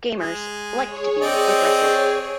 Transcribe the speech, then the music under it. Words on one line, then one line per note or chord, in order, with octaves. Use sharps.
Gamers like to be aggressive.
G#3
G#4 C#5
C4 D5 D#5